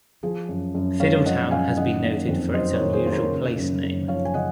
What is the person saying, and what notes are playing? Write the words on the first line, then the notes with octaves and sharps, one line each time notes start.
Fiddletown has been noted for its unusual place name.
F3 G#4
F#2
F#2
G#3 C#5 F5
F3 D#5 F#5
F#2 F5 G#5
D#3 D#5 F#5
A#3
F2
F#3 C5 D#5
A#4 C#5
D#3
G#4 C5
A#3 C5
A#4 C#5
C#3
F#2
F#2
F3 C#5 F5
G#5
C#3 D#5 F#5